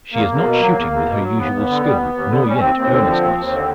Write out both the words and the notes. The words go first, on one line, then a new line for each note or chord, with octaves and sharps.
She is not shooting with her usual skill, nor yet earnestness.
E2 A#3
E2
B2
F#3
E2
E2
B2
F#3
D#2 B3
D#2
D3
G3
D#2
D#2
D3
G3
C#4
D#2 C4
D#2
D3
F3
D#2
D#2
D3